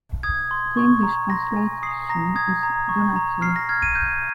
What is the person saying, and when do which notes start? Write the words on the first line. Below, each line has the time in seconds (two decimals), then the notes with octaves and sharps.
The English translation is "donative".
0.23 D#6 G#6
0.51 C6
0.77 C#6
1.03 A#5
1.30 C6 A#6
1.56 G#5
1.83 D#6 C7
2.09 A#5 A#6
2.35 D#6 G#6
2.63 A#5
2.89 C#6
3.16 A#5
3.41 F6 C7
3.56 A#6
3.69 F6 G#6
3.82 D#7
3.95 F6 G6